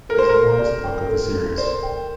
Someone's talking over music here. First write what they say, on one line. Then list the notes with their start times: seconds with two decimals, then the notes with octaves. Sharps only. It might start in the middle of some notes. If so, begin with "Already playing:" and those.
It is the longest book of the series.
0.09 A4 A#4
0.18 C5
0.29 A4 A#4
0.59 D5
0.84 G5
1.09 A4
1.34 A4
1.58 C5 D5
1.83 G5